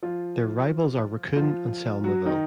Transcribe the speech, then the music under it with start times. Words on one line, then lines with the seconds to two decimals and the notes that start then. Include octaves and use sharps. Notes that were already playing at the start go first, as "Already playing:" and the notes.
Their rivals are Raccoon and Selmaville.
0.03 F3 F4
1.36 F3 F4
2.04 F#3 F#4
2.26 D#3 D#4